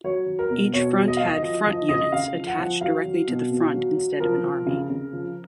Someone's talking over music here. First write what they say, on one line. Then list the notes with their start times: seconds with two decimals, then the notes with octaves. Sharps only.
Each front had "front units" attached directly to the front instead of an army.
0.04 F#3 C#5
0.27 F#3
0.39 A#4
0.50 B2
0.74 B2 C#5
0.97 F#3
1.08 D#5
1.17 F#3 F5
1.26 D#5
1.42 F3 D#5
1.66 F3 D#5
1.89 C#3 D#5
2.12 C#3 F5
2.35 F3
2.47 F#5
2.59 F3
2.81 F#3 F5
3.04 F#3
3.28 B2
3.51 B2
3.74 F#3
3.97 F#3
4.20 F3 A#4
4.44 F3
4.66 C#3
4.90 C#3
5.13 F3